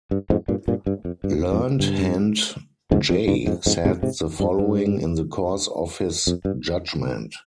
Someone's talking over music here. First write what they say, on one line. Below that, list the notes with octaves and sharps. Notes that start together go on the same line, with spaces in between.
Learned Hand J said the following in the course of his judgment.
G2
F2 G#2
G2 A#2
G2 A#2
G2
F2
G2
F2
G2
F2 G#2
F2
G2
F2 G#2
F2 G#2
G#2 C3
G#2 C3
G2
G2
F2
G2